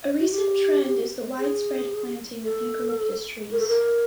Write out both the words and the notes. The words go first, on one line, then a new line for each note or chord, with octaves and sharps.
A recent trend is the widespread planting of eucalyptus trees.
F#4
G4
G#4
A4
A#4
A4
A#4